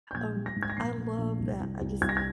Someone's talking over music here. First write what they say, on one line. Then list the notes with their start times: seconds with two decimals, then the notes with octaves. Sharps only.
Um, I love that. I just,
0.11 G6
0.15 A#1 G#6
0.35 G3
0.46 A#6
0.56 G#2
0.63 G#6
0.70 A#6
0.77 A#1 C7
0.97 A#1
1.18 A#1
1.39 C2
1.60 C2
1.81 C2
2.01 C2 G#6
2.09 A#6
2.17 G#6